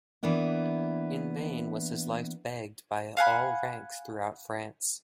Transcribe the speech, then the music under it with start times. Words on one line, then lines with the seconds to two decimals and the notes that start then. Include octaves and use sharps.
In vain was his life begged by all ranks throughout France.
0.23 E3 A#3 B3 D4 E4
3.17 F5 F#5 G#5 B5